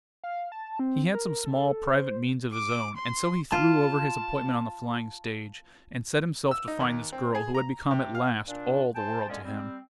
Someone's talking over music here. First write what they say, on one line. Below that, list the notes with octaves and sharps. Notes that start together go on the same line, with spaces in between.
He had some small private means of his own, and so he threw over his appointment on the flying stage, and set himself to find this girl who had become at last all the world to him.
F5
A5
C4
A#4
A4
C5
D6
C6
F4 A5
E6
D#4
D#2
C4
G#4
A#5
C3
F5
A#2 D4
G#4 C5 G5 A5
A#2 D3 G#3 B3 C#4
G3 C4